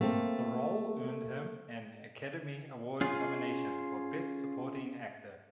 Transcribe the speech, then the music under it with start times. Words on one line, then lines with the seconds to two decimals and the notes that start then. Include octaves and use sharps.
The role earned him an Academy Award nomination for Best Supporting Actor.
0.01 A3 A#3 C4 A4
3.01 C#4 F4 G#4